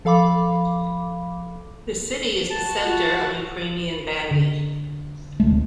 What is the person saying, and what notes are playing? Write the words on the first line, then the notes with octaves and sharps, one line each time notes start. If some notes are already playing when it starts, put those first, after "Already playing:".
The city is the centre of Ukrainian bandy.
F3 A4 F5 B5 D6
F#4 A5
F4
D3
D1 C2 G#3 A3